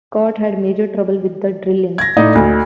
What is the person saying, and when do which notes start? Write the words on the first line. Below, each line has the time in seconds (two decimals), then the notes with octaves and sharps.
Scott had major trouble with the drilling.
1.98 G#6 A#6
2.17 A2 D#4 D5 D#5
2.35 D2